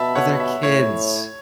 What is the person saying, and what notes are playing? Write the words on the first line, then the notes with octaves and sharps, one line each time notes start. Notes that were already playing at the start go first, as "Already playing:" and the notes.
But they're kids.
Already playing: B2 E5 A5 B5
C#5 F#5
E5
A2 C#5